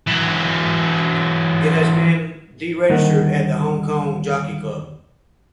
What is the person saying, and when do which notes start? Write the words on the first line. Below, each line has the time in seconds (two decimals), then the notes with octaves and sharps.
It has been deregistered at the Hong Kong Jockey Club.
0.07 E3 F#3
2.90 D#2 D3 D#3 G3 F#5